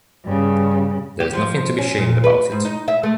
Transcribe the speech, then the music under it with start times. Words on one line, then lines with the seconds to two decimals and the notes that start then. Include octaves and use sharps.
There’s nothing to be shamed about it.
0.24 G2 C#3
1.20 G4
1.33 F3
1.78 C#4
1.98 A#2
2.24 B4
2.52 G#2
2.65 D#4
2.88 E5
3.03 A3